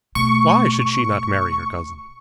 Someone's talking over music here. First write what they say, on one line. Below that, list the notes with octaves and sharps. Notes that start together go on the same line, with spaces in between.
Why should she not marry her cousin?
B2 A3 C#6